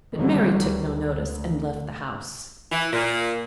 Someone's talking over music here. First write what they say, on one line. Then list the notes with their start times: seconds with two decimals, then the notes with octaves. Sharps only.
But Mary took no notice, and left the house.
0.16 D3 D#3 F#3 G3
0.62 D2
2.72 E3
2.93 A#2